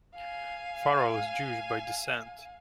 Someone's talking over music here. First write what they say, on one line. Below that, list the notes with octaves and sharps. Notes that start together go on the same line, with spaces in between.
Farrell is Jewish by descent.
F5 G#5